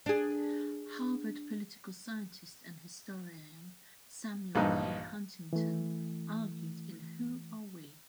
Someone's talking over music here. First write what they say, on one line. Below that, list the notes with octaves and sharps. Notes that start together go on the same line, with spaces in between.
Harvard political scientist and historian Samuel P. Huntington argued in Who Are We?
D4 G#4
A#1 G2 E3 D#4
E3 A3